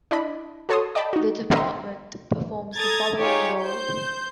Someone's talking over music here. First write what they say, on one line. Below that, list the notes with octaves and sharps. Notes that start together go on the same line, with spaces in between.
The Department performs the following role.
D4 E4 D#5 B5
F#4 A4 C#5 A5 C6 D#6
D5 D#5 G5 A5 B5
D#4 F#4
D#5 E5 A#5 C6
A4 A#5 D#6 G#6 A6
D#4 F4 G4 G#4 C#5
C5 G6